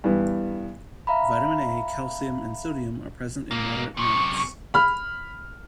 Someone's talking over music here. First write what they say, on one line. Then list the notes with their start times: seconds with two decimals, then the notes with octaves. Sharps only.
Vitamin A, calcium and sodium are present in moderate amounts.
0.04 G2 E3 B3
1.07 E5 F5 A#5 B5
3.51 G#2 A#3
3.97 F#2 C3 C#6
4.74 B5 F6